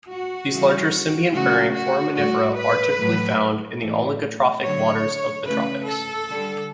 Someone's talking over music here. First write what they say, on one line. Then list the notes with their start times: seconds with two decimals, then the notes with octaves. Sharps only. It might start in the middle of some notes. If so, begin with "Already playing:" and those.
These larger symbiont-bearing foraminifera are typically found in the oligotrophic waters of the tropics.
0.10 F#4
0.51 C#3 E3 G3
1.33 C#3 F#3 A3 F#4
1.74 F#4
2.16 A2 G3 F#4
2.56 B4
2.97 A2 F#3 A3
3.80 A2 E3 A3
4.62 D3 F#3 A3 C#5
5.45 C#3 E3 A3 B4
5.86 A4
6.27 D3 G3